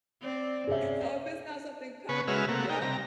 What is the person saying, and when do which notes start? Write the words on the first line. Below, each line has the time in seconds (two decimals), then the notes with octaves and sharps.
So, if it's not something common Yep,
0.21 C4 D5
0.67 C3 C#4 G#4 D5 E5
2.09 C#3 B3 B4 C#6
2.27 C#3 G#3 F#4 B4 E5 F6
2.48 C3 A3 A#3 F#5
2.69 D#4 A#4 G5
2.82 C3 G3 A#5